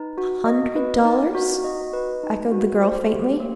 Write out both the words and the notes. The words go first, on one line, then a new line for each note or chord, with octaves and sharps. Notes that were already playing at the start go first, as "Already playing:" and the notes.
"A hundred dollars!" echoed the girl, faintly.
Already playing: D#4 B4
F#4
D#5
B4
D#4
F#4
D#5
B4
D#4
F#4
C5
G4
A#3